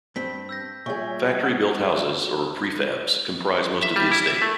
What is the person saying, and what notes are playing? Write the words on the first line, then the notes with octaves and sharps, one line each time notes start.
Factory built houses, or prefabs, comprise most of the estate.
G2 C4 B6
E6 G6 A#6
A#2 G3 G#4 C#5 E5 C#6 G#6
F#5
E5
G3
E4
E5
A3